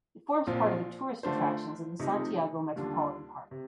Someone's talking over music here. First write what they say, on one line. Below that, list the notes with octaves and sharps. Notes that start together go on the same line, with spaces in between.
It forms part of the tourist attractions of the Santiago Metropolitan Park.
A#1 A#2 F3 C4 F4
D3 A3 D4 F4 C5
C3 F3 A3 D#4
D#2 D3 G3 D4 F4
C3